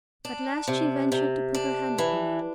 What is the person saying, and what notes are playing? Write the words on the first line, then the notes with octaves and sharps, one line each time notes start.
At last she ventured to put her hand upon him.
D4
C3
C3
D4
E3